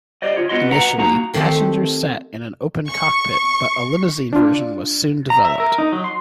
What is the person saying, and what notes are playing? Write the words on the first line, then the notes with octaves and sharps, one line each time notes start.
Initially, passengers sat in an open cockpit, but a Limousine version was soon developed.
G4 C5 D5 D#5
F4 C#5
B3 F#4 D#5 C6
F#4 B4 F#5 A#5
A#3 D#4 F#4 A#5
D#3 F3 A3 C4 G4 C5
C#6
D4 F4
A#5
E5
A#4
D#4
F#3
C6